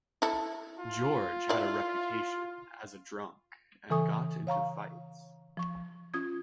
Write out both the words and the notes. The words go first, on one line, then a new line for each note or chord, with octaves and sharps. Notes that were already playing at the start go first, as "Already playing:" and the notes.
George had a reputation as a drunk and got into fights.
E4 A4
F4
E4 D5
C#3 E3 A4 G#5 C#6 D#6
C#5 F5 A#5 C#6
F3 C#6
C#4 F4 D#6 G#6